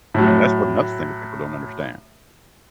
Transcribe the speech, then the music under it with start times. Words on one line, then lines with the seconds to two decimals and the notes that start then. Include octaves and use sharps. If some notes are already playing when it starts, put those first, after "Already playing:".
You know? That's what another thing that people don't understand.
0.14 A2 F#3